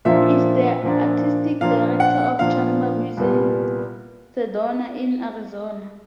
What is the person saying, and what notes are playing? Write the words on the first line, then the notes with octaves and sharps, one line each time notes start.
He is the Artistic Director of Chamber Music Sedona in Arizona.
A#2 F3 A#3 D4 E5
A#2 F3 A#3 D4
A#2 F3 A#3 D4 F5
F#5
A#2 F3 A#3 D4 F5
C2 A#2 G3 B3